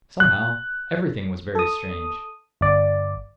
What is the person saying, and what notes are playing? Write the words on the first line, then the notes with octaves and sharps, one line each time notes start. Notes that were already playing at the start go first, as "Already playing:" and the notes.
Somehow--everything was very strange.
F#6
A4 D#6
G1 D5